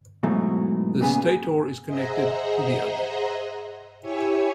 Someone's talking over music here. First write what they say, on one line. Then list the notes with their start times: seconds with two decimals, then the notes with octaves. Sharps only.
The stator is connected to the other.
0.23 G#2 B2 E3 F#3 A3
1.01 A#2 C#3 B3 G#4
1.86 G#4 C5 D#5 E5 F#5 A#5
4.02 E4 G4 C#5 E5 G#5 C#6